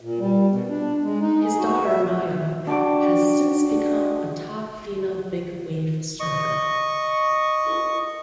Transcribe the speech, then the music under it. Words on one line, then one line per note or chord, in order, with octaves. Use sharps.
His daughter Maya has since become a top female big wave surfer.
A#2
G3
B2
D4
G#3
D#4
G#4
F#4
E5
D4 F#4 G5 D6
D#5 C#6